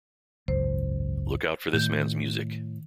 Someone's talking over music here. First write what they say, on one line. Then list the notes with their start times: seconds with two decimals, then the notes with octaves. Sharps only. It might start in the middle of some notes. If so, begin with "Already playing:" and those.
Look out for this man's music'.
0.48 G#1 C#2 F#2 C5
1.73 A2 D#3 G6